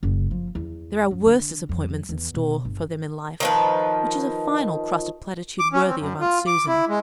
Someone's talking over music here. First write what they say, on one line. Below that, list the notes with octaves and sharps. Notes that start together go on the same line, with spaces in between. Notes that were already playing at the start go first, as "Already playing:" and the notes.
'There are worse disappointments in store for them in life-- Which is a fine old crusted platitude worthy of Aunt Susan.
F#1
F3
E2
F#2
D3
F2
E2
B2
G1
D#3 F3 B4
D6
C#4
C4
F#2
F4
D6
E4
G#3